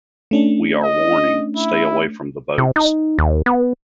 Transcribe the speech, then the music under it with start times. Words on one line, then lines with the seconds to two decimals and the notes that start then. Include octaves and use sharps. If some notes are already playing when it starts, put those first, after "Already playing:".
We are warning, stay away from the boats.
0.31 A3 C#4 D4
0.84 D#5
1.57 E4
2.58 C3
2.76 D#4
3.19 D#2
3.46 B3